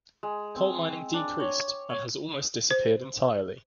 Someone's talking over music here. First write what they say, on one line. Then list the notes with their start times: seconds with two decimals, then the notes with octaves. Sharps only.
Coal mining decreased, and has almost disappeared entirely.
0.23 G#3
0.56 C4
1.14 D4
1.40 C#5
1.90 C#5
2.71 C5